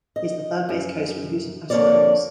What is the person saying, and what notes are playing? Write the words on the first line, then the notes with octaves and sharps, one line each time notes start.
He is the third base coach with the Houston Astros.
D#5
F#2
F2 D3 A#3 B3 C#5 D5